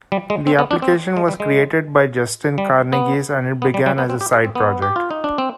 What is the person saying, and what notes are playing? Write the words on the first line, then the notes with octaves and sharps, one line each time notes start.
The application was created by Justin Karneges and it began as a side project.
G3
G#3
C4
B3
D4
C4
G#3
G3
G#3
G3
B3
B3
G3
G3
B3
C4
G4
G#4
C4
B3
G4
F4
D#4
D4
C4